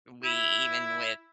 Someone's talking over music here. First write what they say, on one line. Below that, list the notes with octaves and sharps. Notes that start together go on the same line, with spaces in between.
we even with,
E4